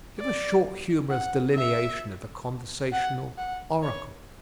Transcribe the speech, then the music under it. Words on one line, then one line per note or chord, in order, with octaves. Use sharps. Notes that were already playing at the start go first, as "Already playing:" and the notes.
Give a short humorous delineation of the conversational "oracle."
D5
F#5
E5
F#5
F#5
C#5